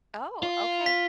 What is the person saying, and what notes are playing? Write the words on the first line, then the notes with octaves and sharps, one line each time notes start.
Oh, okay.
F4
B6